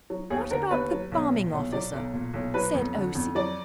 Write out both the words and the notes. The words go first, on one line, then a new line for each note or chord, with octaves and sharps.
"What about the Bombing Officer?" said O.C.
F#3
D#2 G#4
D3 A#4
D#2 B4
F#3
B1
A#2
B1
F#3 D5
B1
A#2
B1
F#3 B4
F2
D3
F2
F#3 D5